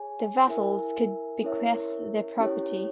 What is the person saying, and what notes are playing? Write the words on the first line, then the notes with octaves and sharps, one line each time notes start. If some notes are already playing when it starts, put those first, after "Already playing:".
The vassals could bequeath their property.
Already playing: G#4 C#5 G#5
E4 A#4 E5 G#5
C#4 E4 A#4 C#5 E5
C#4 E4 G4 C#5